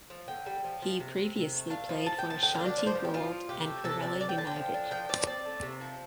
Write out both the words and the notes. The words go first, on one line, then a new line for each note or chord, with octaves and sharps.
He previously played for Ashanti Gold and Karela United.
F3
D3 G5
G3
F3
F3
C3
C3
C3
A3
D4 F5
F3
F3 A5
G5
F3
A5
D3 G5
F5
D4
D5
F3
C5
F3
G4
F3 F4
F3
C3 G4
A3
C3 A4
C4 D5
C4 D5
G5
D3 A5
G5
F3
D4
F3 G5
F3 D5
C4 D5
A3
C3
F3